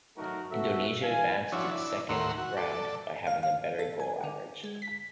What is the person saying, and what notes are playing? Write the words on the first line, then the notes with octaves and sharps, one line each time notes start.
Indonesia advanced to the Second Round by having a better goal average.
F#3 A3 D#4 F#4 A#4
B3 F#4 A4 E5
E3 F5 G#5
F3 D4 E4 F#4 C#5
D4 E4
D#2 A2 A#4 E5 F#5 C6
F#4
A4 D5
F5
F5
A4
G#5
D3
G#3
B6